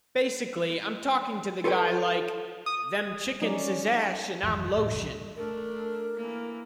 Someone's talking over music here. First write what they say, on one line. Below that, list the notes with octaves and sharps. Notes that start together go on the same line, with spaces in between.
Basically I'm talking to the guy like, 'Them chickens is ash and I'm lotion.
F4 A4 B4 C#5 G5
D#6
F#3 C#4 D#4 D5
G#1 F2 E3 F3
D2 A2 F3 G3
E1 C2
A3 D4 A#4
E3 A#3